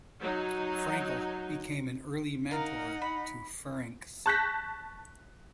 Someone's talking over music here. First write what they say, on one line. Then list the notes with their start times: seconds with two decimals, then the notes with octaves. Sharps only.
Frankel became an early mentor to Ferencz.
0.18 F#3 D#4
2.51 D#4 A#4 F5 F#5
3.02 B5
4.26 A5 C#6 F#6 G6 A#6 B6